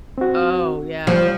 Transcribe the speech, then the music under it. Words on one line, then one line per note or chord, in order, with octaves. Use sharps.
Oh, yeah.
C4 F#4
F3 G3